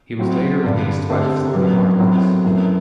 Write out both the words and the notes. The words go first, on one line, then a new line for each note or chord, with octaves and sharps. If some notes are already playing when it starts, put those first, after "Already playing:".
He was later released by the Florida Marlins.
A2 F#3 C4 F#4
G2 D3 G3
D3 A3 C4 G4
F#2 F#3 B3 F#4
A2 F#3 C4
F#2 E3 A3